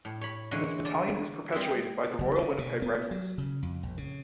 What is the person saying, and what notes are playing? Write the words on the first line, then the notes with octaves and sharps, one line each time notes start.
This battalion is perpetuated by the Royal Winnipeg Rifles.
A2
C#5 B5
D3 E3 G#3 A#3 C#4 F#4
D5
G3 C4 G#4 C5 E5
F#1
C#3
B2
B3
F#3
C#3
F2
A#1
C#3